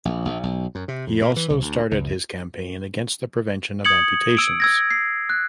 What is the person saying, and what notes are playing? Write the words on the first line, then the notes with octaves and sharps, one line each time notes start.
He also started his campaign against the prevention of amputations.
A#1
A#1
B1
F#2
C3
F2
A#2
E3
C2
D2
C#2
D#6 G#6 C#7 F#7
E6 D7
E6 G#6 A#6
C7
F#6